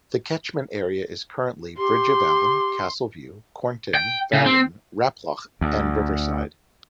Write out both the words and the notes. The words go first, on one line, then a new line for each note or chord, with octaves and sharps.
The catchment area is currently: Bridge of Allan, Castleview, Cornton, Fallin, Raploch and Riverside.
G4 C6
G5
C#3
C4
D2